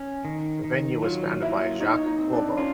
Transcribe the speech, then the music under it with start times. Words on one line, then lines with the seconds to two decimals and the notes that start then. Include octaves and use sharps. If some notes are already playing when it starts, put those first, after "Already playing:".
The venue was founded by Jacques Corbo.
Already playing: C#4
0.25 D#3
0.64 D#3
1.02 F#3 F4
1.42 A#3 E4
1.80 D#4 C#5
2.06 D#4
2.19 C4
2.32 D4
2.57 C#4 F4